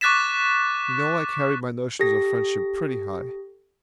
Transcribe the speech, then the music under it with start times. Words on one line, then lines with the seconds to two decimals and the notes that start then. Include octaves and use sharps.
You know I carry my notions of friendship pretty high.
0.01 C#6 D6 F#6 A6 B6 E7
2.00 G4 A4 A#6